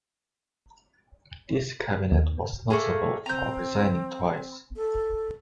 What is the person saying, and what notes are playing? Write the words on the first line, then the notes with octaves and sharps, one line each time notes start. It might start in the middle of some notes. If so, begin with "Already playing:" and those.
This cabinet was notable for resigning twice.
D#2
A3 A#3 G#4
C4 A#5 G6
A4